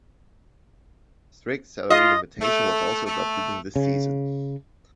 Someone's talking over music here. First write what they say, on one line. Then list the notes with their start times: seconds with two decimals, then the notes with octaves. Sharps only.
Strict salary limitation was also adopted in this season.
1.90 F4 D#5
2.41 A3
3.07 A3
3.76 C#3